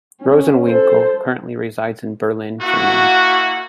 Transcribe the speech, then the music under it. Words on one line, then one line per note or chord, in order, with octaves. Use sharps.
Rosenwinkel currently resides in Berlin, Germany.
C#4
A4 C5
A#3 E4 F#4